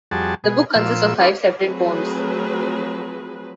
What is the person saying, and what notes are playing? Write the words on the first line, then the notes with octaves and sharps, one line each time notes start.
The book consists of five separate poems.
F2 G3 F#4 G#4 A5
B2 G#4
A#2 F3 E6
C#4 E4 F4 A4 B4 D5
F3 F#3 A3 C4 G#4 B4